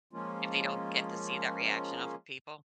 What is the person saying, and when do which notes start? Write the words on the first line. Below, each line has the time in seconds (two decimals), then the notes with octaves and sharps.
If they don't get to see that reaction off of people,
0.13 F3 G#3 A#3 C#4 F4